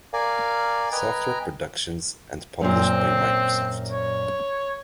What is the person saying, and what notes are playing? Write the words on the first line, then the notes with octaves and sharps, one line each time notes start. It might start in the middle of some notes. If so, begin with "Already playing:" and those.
Software Productions and published by Microsoft.
A#4 D5 F5 G#5
B4 D#5 G5 G#5 A#5
F#2 A#2 C4 C5
C#5